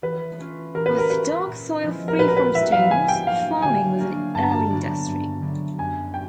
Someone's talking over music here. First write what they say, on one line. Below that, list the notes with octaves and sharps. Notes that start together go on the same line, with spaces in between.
With dark soil free from stones, farming was an early industry.
E3 B4
A3 C#4 F4
E3 A#4
B4
A#4
A3 C#4 F4 B4
A#2
F3 G#3 B3 E4
A#4
A#2 B4
A#4
B4
F3 G#3 B3 E4 E5
F5
D3 G#5
G5
F#3 A#3 D4 F5
D3 G#5
F#3 A#3 D4
G2 A5
A#5
A5
D3 F#3 B3 D4
G2
D3 F#3 B3 D4
F#2 G#5
G5